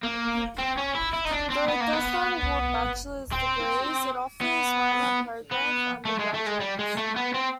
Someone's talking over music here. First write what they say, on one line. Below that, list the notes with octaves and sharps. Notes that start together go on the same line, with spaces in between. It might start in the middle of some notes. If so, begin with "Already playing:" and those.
Though it does not award bachelor's degrees, it offers a minor program for undergraduates.
A#3
C4
C#4
E4
E4
D#4
D4
C4
B3
A#3
B3
C4
B3
B3
A3
G#3
A3
G#3
G3
G#3
A3
B3
C4